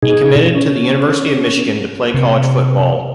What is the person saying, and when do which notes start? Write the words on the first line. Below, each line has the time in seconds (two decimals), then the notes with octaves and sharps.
He committed to the University of Michigan to play college football.
0.02 B2 D#4 G#4
0.55 C#4
2.14 C3